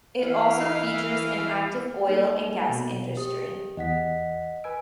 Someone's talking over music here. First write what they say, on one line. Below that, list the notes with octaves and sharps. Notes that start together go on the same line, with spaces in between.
It also features an active oil and gas industry.
E3 E5 F5
A#3 D#4 A4
B2
G4 D#6
E2 D#5 F#5 B6
B4 G#5 E6 D7